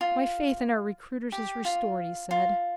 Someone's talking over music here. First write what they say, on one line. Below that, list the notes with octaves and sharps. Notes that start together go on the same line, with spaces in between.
"My faith in our recruiters is restored," he said.
F4
G4
F4
F4